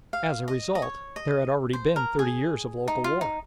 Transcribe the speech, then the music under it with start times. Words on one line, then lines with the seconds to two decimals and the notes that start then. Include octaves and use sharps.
As a result there had already been thirty years of local war.
0.13 F5
0.48 D#5
0.75 D#5
0.82 C#5
1.16 D#5
1.73 C5
1.96 A#4
2.19 G#4
2.88 D#4
3.04 F4
3.21 D#4